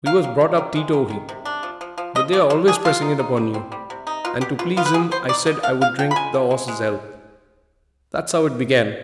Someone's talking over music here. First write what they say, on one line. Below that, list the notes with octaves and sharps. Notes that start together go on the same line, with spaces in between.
We was brought up teetotal, but they're always pressing it upon you, and to please him I said I would drink the 'orse's 'ealth. That's how it began....
D#3 F5
D#3
C3
D#3
G#3
D#3
D#3
C3
D4
F3
F3
F3
F3 D#5
F3 D5
F3 C5
D4 G#4
C4 F4
D#4
D#4
G3
C4
G3
C3
D#4
B2 F4
B2 G4
B2 F4
B3 F4
B4
B2 G#4
B3 C5
D#4 D5
B2 D#5
D4 F5
F3 F5
F3 G5
B5
G#3 G#5
F3
G#3
G#3